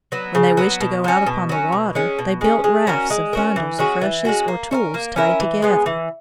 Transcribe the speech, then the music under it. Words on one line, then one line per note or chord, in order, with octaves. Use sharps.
When they wished to go out upon the water they built rafts of bundles of rushes or tules tied together.
F#3 B3
C#3
F#3 B3
B2
F#3 C#4
B2
F#3 C#4
B2
G#3 C#4
B2
G#3 C#4
G#3
C#4 F#4 A#4
G#3
C#4 F#4 A#4
E3
G#3 C#4 F#4
E3
G#3 C#4 F#4
A#3
C#4 E4 A#4
A#3
C#4 E4 A#4
E3
G#3 B3
E3